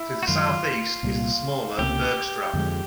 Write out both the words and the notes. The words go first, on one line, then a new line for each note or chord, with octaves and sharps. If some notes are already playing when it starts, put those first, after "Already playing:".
To the southeast is the smaller Bergstrand.
Already playing: E4
F#4
F#2 D#3 G#3 F4
C2 A#2 G3 A#3
C#2 C3 F3 A#3 G4
F2 D3 F3 G#3